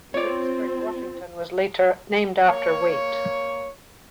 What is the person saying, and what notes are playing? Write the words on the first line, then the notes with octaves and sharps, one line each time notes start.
Waitsburg, Washington, was later named after Wait.
C4 F4 C#5 D5
A#3 C#5